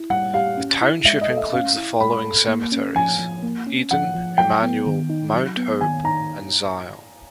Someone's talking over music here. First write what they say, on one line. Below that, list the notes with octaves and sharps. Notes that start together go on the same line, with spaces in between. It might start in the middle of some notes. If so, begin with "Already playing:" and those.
The township includes the following cemeteries: Eden, Immanuel, Mount Hope and Zion.
Already playing: E4
G3 F#5
G4 F5
C#4
E4
G#3 E5
D#5
A4
E5
C#4 F5
E4
G#3 B5
A4
A#3
C#4
F3 G#5
F3
A#3
C#4
F3 F#5
F3
F#3 G5
B3
D#3
D#4
F#3
B3
D#3 G#5
D#4 A#5